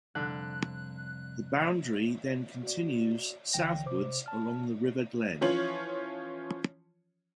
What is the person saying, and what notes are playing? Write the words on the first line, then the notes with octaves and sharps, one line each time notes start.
The boundary then continues southwards along the River Glen.
C2 F2 D3 F#6
F#4 D5
C2 D3 E3 G5 A#6
C3 C5 D6
A5 F6
E3 F3 C#4 F4 C#5 F#7